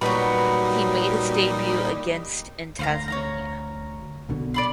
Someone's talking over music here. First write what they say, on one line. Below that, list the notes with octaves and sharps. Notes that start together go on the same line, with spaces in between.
He made his debut against in Tasmania.
A#2 F#3 G3 B3 D#4 B5
D2 C5 F5 A#5
C#5 F5 A#5
B1 B2 D3
D5 B5 C6